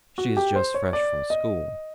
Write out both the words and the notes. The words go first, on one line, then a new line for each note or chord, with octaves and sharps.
"She is just fresh from school."
F#4
G4
C5
C#5
D5
D#5